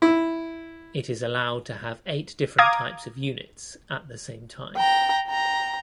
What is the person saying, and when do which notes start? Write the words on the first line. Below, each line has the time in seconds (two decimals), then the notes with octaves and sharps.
It is allowed to have eight different types of units at the same time.
0.02 E4
2.58 F5 A#5 D6 D#6 G#6
4.77 G5 A#5
5.28 G5 A#5